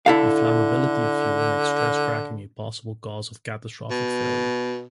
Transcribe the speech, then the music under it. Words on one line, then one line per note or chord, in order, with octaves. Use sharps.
The flammability of fuel makes stress cracking a possible cause of catastrophic failure.
D3 E4 A4 F5
B2